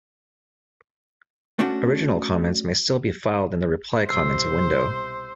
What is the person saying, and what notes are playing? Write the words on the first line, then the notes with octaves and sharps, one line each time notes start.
Original comments may still be filed in the reply comments window.
A3 C#4 D4 F#4
C2 B2 C5 E6 C7